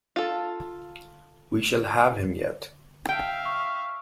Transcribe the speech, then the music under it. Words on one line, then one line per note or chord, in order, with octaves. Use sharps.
We shall have him yet!
F4 A4
E5 F5 G5
C#6